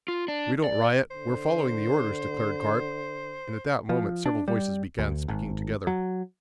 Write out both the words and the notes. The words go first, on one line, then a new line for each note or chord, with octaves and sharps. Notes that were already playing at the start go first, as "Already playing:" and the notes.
"We don't riot, we're following the orders," declared Karp, and at that moment several voices began speaking together.
F4
D4
D5
D3 C5
F3
D4
G3
D2
G#1
F#3